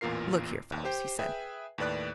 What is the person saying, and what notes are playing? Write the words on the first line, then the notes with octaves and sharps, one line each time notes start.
"Look here, fellows," he said.
A1 E2 A#2 F4 A#4 C7
D#2
G4 C5 G5
G#4 B4 E5 G5
D#2 A2 B4 D5 F#6